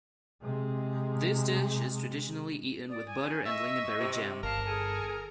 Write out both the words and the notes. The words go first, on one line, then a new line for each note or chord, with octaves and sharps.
This dish is traditionally eaten with butter and lingonberry jam.
C3 G#3
D5 D#6
G#5
D#5 E5 C#6 E6
C3
G1 A#4 F5 A5
G#4 A4 G#5